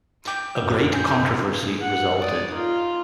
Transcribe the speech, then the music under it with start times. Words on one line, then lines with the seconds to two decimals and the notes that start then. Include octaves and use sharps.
A great controversy resulted.
0.27 G5 D6 G6
0.62 F#2
0.94 G#5 G6
1.48 G#4
1.80 F#5
2.19 D5 D#6
2.53 D#4 F4